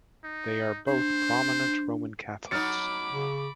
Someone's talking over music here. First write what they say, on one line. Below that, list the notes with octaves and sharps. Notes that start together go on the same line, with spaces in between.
They are both prominent Roman Catholics.
D#4
D4 C5
F#3 D#4 B5 D6 F6 A6 C#7
C#3